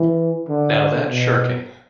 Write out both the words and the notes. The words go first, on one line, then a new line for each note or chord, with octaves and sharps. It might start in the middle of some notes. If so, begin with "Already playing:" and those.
Now, that's shirking.
Already playing: E3
D3
B2